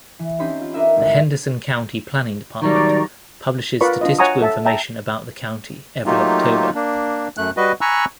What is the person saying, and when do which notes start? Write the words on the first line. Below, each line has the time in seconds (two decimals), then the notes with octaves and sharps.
The Henderson County Planning Department publishes statistical information about the county every October.
0.19 E3
0.39 C4 C#4 D#4 G4 B5 C6
0.61 F4
0.74 D4 A#4 B4 D#5 E5
0.96 G#1 D2
2.62 D#3 F#3 G3 D5 A#5 C#6
3.81 F4 A#4 B4 D5 B5 C#6
4.01 D4 F4 D#5
4.19 C#5 F#5 G#5 A#5 C#6 D#6
4.41 A4 E5 A5
4.65 E5 G5 A5 A#5
6.06 F#3 A3 A#3 D#4 F4 G4
6.75 A#3 D4
7.37 F#2 A3 F#6
7.57 G3 F#4 B4 D#5
7.81 G#5 A#5 B5 C#6 E6 F#6